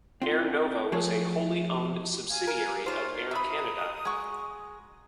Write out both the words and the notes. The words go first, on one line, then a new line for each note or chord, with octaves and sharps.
Air Nova was a wholly owned subsidiary of Air Canada.
C4 F4
F3 A3 G#4 C#5
F5 G#5
A#4
A#3 D#4 F4 C5 C#5
E5 A#5 B5 D#6
G#3 F#4 C#6